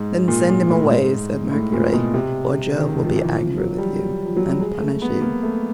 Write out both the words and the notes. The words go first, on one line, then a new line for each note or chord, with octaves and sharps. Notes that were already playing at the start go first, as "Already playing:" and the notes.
"Then send him away," said Mercury, "or Jove will be angry with you and punish you".
Already playing: G#2
A#2
A#2
A2
G#2
A2
A#2
B2
C3
D#3
F3
E3
E3
F3
F#3
G3
F3
F#3
G3
G#3
A3
B3
A#3
A3